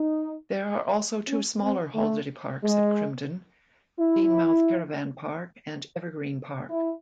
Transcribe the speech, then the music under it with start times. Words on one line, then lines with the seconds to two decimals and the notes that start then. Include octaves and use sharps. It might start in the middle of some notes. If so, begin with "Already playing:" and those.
There are also two smaller holiday parks at Crimdon-Denemouth Caravan Park and Evergreen Park.
Already playing: D#4
1.28 C#4
1.62 C4
1.95 A3
2.63 G#3
3.99 E4
6.70 E4